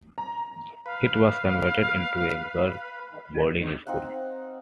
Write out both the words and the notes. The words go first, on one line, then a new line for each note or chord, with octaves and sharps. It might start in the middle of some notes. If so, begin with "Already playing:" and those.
It was converted into a girls' boarding school.
A#5
B4 F5
C4 D#4 F5 F#5